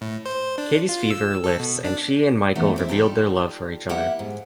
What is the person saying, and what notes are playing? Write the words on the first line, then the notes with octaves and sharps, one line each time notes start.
Katie's fever lifts and she and Michael reveal their love for each other.
A2
C5
D4
F4
E6
A4
B2
D4
E2 A3 B3 C#4 D#4 F#5
G#3 C4 E4
D#4 F4 G4 A4 D5
A#3 E4 G4 E5 F#5
G#2